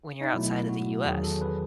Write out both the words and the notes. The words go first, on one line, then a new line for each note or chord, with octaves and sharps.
when you're outside of the US.
D#4
B2 F#3 A3 E4
F#4
E2 D#3 F#3 G#4
A4
B4